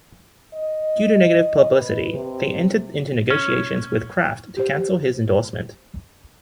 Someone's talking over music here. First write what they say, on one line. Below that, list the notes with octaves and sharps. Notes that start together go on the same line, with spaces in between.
Due to negative publicity, they entered into negotiations with Kraft to cancel this endorsement.
D#5
B4
C3
C#4
G4 C5